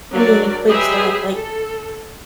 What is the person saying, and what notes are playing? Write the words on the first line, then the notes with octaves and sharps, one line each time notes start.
I mean, quick stuff, like,
F#3 D4 A#4 D5
F#3 G#3 G4 G#4 B4 E5
A4